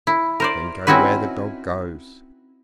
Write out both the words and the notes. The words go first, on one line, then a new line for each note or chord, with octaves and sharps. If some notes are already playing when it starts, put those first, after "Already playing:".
Then go where the dog goes.
E4
A#4 C5 D5
C4 C#4 D#4 E4 F#4 B4